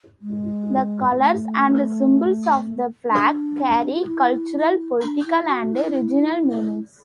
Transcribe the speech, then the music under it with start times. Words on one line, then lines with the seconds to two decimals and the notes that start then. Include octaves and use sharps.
The colours and symbols of the flag carry cultural, political, and regional meanings.
0.22 G#3
1.18 A3
3.10 D4
3.97 F#4
4.06 E4
5.02 D4
5.26 E4
5.49 F#4
5.73 E4